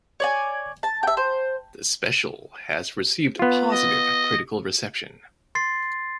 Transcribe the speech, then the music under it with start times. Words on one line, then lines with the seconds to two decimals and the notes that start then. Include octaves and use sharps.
The special has received positive critical reception.
0.20 C#5 D5 G#5
0.83 A5
1.03 E5 G5
1.17 C5
3.39 B3 F4
3.72 D#5
5.55 C6 A6 C7